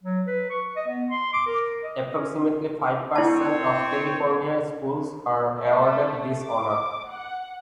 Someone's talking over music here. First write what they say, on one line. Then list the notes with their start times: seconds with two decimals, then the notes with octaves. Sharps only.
Approximately five percent of California schools are awarded this honor.
0.03 F#3
0.27 B4
0.50 C#6
0.76 D#5
0.88 B3
1.10 C6
1.33 D6
1.46 A#4
1.83 D#5
2.16 C#4
3.15 C4 E4 C#5 A5
5.59 A3
6.41 D6
7.08 F#5